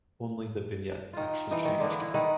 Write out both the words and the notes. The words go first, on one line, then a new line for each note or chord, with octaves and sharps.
Only the vignette actually changed.
D#3 F4
E3 D#4
D#3
D3 E3 A#3 B3
E4
D#3 B4 F#5